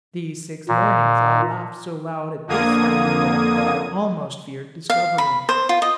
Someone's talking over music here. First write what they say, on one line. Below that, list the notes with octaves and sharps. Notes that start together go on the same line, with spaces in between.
These six mornings I laughed so loud at this spectacle, that I almost feared discovery.
A#2
F2 D3 A#3 D#6 G#6 D#7
F5
B5
C5
F4
D#5